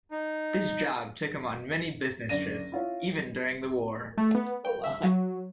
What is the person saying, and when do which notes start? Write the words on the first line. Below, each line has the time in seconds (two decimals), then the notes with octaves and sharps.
This job took him on many business trips, even during the war.
0.12 D#4
2.29 F#1 D3 D5 A#6 D#7
2.72 E4 F4 C#5
4.18 A3
4.35 B3
4.65 G5
4.84 E5
5.04 F#3